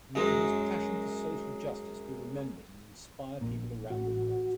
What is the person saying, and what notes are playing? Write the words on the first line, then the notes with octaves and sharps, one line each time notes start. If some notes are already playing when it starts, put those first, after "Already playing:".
May his passion for social justice be remembered and inspire people around the world.
F#2 G#3
A#1 A#2
A1 F#4